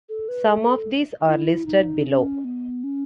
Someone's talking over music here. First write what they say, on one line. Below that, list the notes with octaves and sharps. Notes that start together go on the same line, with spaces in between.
Some of these are listed below.
A4
B4
A4
E4
D#4
C#4
B3
C#4